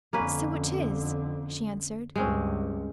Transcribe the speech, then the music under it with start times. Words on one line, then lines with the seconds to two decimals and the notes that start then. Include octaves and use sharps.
"So it is," she answered.
0.13 F2 D3 A#3 C#4 B4
2.16 C#2 G2 G#3 C4 C#4